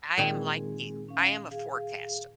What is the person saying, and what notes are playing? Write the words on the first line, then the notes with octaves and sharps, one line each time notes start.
I am like you, I am a forecaster.
A#2 D#3 G#3 C4 G#4
C#4 F5
G#4 F5